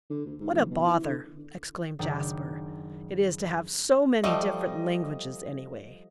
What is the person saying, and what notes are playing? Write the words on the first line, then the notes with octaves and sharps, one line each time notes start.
"What a bother," exclaimed Jasper, "it is to have so many different languages, anyway!"
D3
D2
G#2
F#1
B2
E3
D3
F#1 D#3 D4 G5 D6
F3 G3 A3 D#5